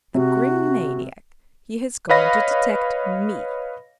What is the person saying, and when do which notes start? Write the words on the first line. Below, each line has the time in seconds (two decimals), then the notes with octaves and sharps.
The Grim maniac! he has gone to detect me!
0.15 C3 F#4
2.10 B4 C#5 D#5 F5 B5 A#6